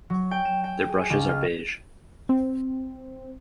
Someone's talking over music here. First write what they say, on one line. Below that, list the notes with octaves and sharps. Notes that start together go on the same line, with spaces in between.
Their brushes are beige.
F#3
G5
E7
G5
G#4
C#2
F6
C4